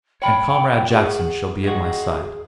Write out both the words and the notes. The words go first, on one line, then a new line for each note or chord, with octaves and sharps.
And Comrade Jackson shall be at my side.'
C#5 G5 B5
F#4 G#4
G#3 F#4 G#4